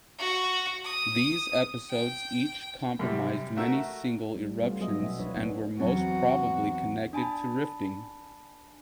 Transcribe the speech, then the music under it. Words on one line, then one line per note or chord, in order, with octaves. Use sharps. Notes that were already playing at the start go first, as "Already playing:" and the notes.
These episodes each comprised many single eruptions and were most probably connected to rifting.
F#4
D#6
G5
F#2 C3 G3
A3 F#4 A#4 E5
G3
G3 A3 B3 C#4 F4
F#3 B3 G#4 D#5 E5
B2 C#4 E5
F3 D4 B4 C#5
A#3 B3 C#4 D4
E2 G#2 F#3 C4 F#4
D4 G#5 A5 B5